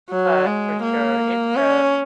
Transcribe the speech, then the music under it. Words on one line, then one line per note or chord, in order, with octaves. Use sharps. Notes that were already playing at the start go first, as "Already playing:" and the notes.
but for sure, it's, uh
F#3
G#3
A#3
C#4